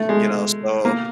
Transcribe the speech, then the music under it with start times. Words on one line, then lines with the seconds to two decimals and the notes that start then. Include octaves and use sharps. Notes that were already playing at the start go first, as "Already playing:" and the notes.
you know, so,
Already playing: A3
0.09 G#3
0.85 A#3